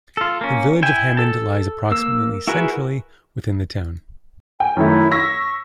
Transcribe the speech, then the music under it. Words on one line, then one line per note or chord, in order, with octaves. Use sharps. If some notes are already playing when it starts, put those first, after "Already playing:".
The Village of Hammond lies approximately centrally within the town.
F4 A4
A#3 C#4
E4 G5 G#5
A4 A5
A#3 E6
E4 F#4 G#4 A#4 B4
G5 G#5
F#2 D#3 A3 E4
C#6 E6 A#6 B6